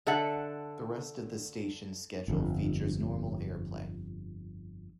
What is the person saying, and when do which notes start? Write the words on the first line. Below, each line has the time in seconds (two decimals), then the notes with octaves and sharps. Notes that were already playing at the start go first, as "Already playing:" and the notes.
The rest of the station's schedule features normal airplay.
0.07 D3 A4 E5 F#5
2.28 G1 F2